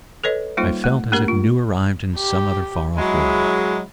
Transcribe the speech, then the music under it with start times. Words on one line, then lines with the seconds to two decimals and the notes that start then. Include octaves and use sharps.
I felt as if new-arrived in some other far-off world.
0.24 A4 B4 C#5 D#5
0.57 G3 A#3 D#4 F4 C5
0.84 A3
1.12 A3 A#3 D4 G4 A#4
1.28 F4
2.17 G4
2.97 F#3 G#3 E4